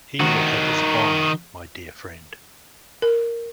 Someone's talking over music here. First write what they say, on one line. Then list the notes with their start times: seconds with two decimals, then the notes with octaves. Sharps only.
He will have his bond, my dear friend.
0.20 D#3 F#4
3.02 A#4